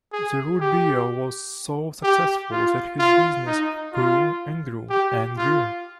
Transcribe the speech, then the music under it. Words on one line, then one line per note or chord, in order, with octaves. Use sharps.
The root beer was so successful, that his business grew, and grew, and grew!
G#4
G4
G4
F4
F4
D#4
F4
G4
F4